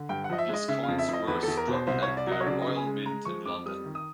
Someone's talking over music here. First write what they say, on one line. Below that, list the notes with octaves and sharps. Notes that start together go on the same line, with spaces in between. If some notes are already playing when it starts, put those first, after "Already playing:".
These coins were struck at the Royal Mint in London.
Already playing: D3
G2 G5
F#5
F3 D#5
E5
G#3 D#5
C#3 E5
F5
F2
E5
F2 D#5
E2 B4
E2 A4
A#4
B2 C5
C2 C5
C2 C#5
D5
F#3 D#5
C#5
C#3 D5
D#5
C#3
G#5
G#3
G#3 A#5
F3 C#6
F2 D6
G3 D#6
D#3
D#6